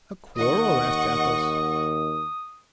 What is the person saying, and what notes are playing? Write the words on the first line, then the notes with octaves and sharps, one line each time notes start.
"A quarrel?" asked Athos.
D#2 D#5 F#5 C#6 D#6